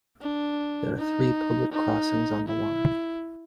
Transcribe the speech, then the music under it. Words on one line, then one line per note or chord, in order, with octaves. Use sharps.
There are three public crossings on the line.
D4
D#4
D#4
E4